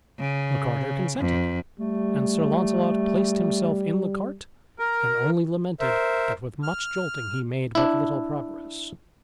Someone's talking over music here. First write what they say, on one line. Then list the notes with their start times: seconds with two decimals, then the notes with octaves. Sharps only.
The carter consented, and Sir Launcelot placed himself in the cart and only lamented that with much jolting he made but little progress.
0.19 C#3
1.19 F2
1.79 G3 A3
4.79 A#4
5.80 A#4 C5 E5
6.63 F6
7.75 D4 E4